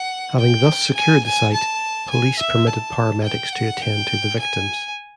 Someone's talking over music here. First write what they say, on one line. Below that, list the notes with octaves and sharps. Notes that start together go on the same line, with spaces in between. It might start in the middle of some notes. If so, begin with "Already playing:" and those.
Having thus secured the site, police permitted paramedics to attend to the victims.
Already playing: F#5
G5
G#5
G#5
A5
G#5
E5
A5
G5
F#5
G5
G#5